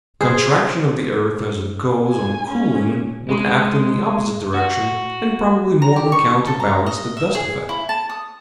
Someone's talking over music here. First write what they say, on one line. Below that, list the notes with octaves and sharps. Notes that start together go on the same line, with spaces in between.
Contraction of the earth as it goes on cooling would act in the opposite direction, and probably more than counterbalance the dust effect.
G#4 C5
G#5
C#4
G#3
F#4
A#5
G4
C#6
A4
A#5
D#5
E5
G#4
E4
A5
D#6